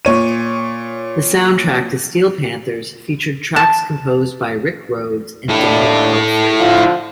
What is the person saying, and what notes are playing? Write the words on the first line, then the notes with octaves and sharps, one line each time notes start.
The soundtrack to Steel Panthers featured tracks composed by Rick Rhodes and Danny Pelfrey.
A#2 C#5 D#7
A5
D#2 A2 D4 E4 A4
D3 F3 F4